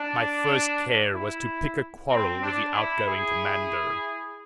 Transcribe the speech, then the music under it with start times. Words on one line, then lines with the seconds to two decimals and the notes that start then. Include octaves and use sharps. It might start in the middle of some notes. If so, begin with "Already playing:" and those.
My first care was to pick a quarrel with the outgoing commander.
Already playing: D4
1.14 E4
2.10 C4
2.42 D4
2.74 E4
3.06 E4 G#4